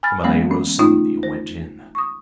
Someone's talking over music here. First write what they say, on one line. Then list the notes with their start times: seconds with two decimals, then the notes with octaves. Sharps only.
The Malay rose suddenly and went in.
0.03 G#5 B5 F6 A6
0.24 E3 F#3 G#3 A#3 B3 C#4
0.51 C#4
0.79 A3 C#4 D#4 F4
1.23 C5
1.95 C#6 D#6